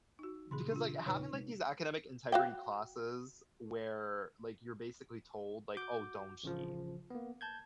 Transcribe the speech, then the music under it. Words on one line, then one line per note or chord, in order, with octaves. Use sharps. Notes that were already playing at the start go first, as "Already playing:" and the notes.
because, like, having, like, these academic integrity classes where, like, you're basically told, like, "Oh, don't cheat,"
D#4 F#4
A#2 C#3 E3 G#4 B5 C6
D4 F4
E1 A#2 C#3 D#4 B4 C#5
C3 G#3
F#4 F5 G5
F#4 D6 G6
A1 C#3 F3
A#3 B3
A5 G6 G#6